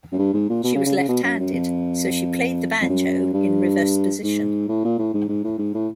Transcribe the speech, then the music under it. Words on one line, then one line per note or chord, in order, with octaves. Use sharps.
She was left-handed, so she played the banjo in reverse position.
F#2
G2
G#2
A#2
B2
C#3
C#3
C#3
B2
F#2
F#2
F2
F2
F#2
G2
G#2
A2
A#2
A2
G#2
G#2
A2
G#2
A2